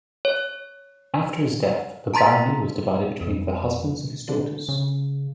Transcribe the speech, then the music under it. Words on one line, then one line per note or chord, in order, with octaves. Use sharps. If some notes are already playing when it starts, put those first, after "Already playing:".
After his death, the Barony was divided between the husbands of his daughters.
C#5
A5 A#5 C6 A6 B6
F2
D3
C#3